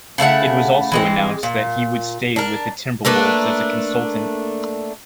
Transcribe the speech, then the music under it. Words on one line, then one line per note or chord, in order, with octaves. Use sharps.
It was also announced that he would stay with the Timberwolves as a consultant.
C#3 A3 E4 F#5
E3 G#3 C4
A#2
D4 A#4
A3 A#3 D4 B4